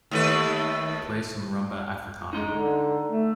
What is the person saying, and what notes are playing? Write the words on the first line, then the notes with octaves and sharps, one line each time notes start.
Play some Rumba Africana.
D#2 A3 B4
G#3 D#4 C6
D3
A3